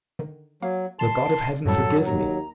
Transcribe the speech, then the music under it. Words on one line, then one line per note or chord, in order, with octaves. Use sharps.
The God of heaven forgive me!
D3 D#3
F#3 A#3 F5
D#3 A5 C6 E7
F#2 A2 F#3 G3 A4
D#2 A#5